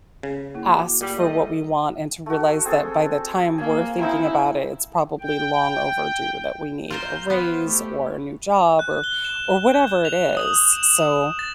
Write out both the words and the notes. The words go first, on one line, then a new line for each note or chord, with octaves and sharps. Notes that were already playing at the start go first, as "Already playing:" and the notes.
ask for what we want and to realize that by the time we're thinking about it, it's probably long overdue that we need a raise or a new job or or whatever it is, so
C#3
A#3 E4
F#4 F#5 D6
A#2 G3
G3 A3 D#5
A3 F#4
C4 G#4 A4
A#3 G#5
A#3 C4 D#4 E4
G5
F4 A#4 C5 G6
B3 F4 C5
A3 G4
F#6
G7
E7
G6
F7
D#6
E7
F7
A6